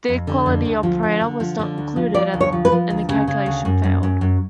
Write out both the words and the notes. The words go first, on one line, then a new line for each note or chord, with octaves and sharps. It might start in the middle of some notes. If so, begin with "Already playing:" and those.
The equality operator was not included and the calculation failed.
F2
D3
F2
D2
F3
D3
D3
F3
D3
D2
F3
F3 D5
D2
C#5
F3
B4
F3
D2
C#3
C#3
D2
F#2
F#2
F#2
F#2